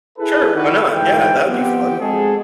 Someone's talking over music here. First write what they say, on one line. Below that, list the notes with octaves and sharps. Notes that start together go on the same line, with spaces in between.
Sure, why not, yeah that would be fun.
E4 G#4 A4 B4
D#3 D#4 E4 F#4 G4 B4
D2 G#2 E3 G5
F3 B3 C4 G4
G#3 C4 F#4 G#4 A4